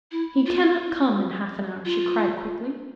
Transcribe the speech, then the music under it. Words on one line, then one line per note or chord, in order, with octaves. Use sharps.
"He cannot come in half an hour," she cried quickly.
E4
F4
F4